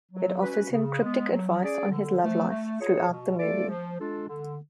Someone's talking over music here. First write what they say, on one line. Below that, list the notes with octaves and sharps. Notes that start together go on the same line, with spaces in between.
It offers him cryptic advice on his love life throughout the movie.
F#3
C#4 F#4 B4
C#3
G#3 B3
F#3
C#4 G#4 D5
D3
F3 A3
A3
F4 G#4 C#5
B2
A3 F4 A4 D5
F3
G#3 D4 F4 A4
D3